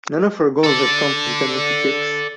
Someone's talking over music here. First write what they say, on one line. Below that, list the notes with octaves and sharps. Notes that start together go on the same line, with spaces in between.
None of her goals have come from penalty kicks.
A4 D5